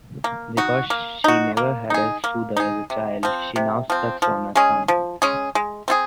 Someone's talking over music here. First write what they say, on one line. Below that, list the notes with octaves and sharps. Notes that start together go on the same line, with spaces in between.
Because she never had a soother as a child, she now sucks on her thumb.
A#3
D#4 F#4
A#3
D#4 F#4
A#3
D#4 G#4
A#3
D#4 G#4
C3
F3 C4
C3
F3 C4
F3
G#3 C#4 G#4
F3
G#3 C#4 G#4
G#3
C4 F4 G#4